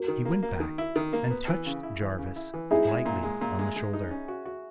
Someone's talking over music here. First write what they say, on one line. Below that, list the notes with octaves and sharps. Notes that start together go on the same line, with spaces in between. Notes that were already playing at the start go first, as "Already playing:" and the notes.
He went back and touched Jarvis lightly on the shoulder.
Already playing: F#4 A#4
D#3
A#3
A#3
D#3
E4
D#3
A#3
B3
E3
C#3
E4
E3
C#3
E4
E3
D#4 E4 G#4
G#3
A#2
G#3
A#2
G#3
G#3
D#4
C#4
F#4
F#4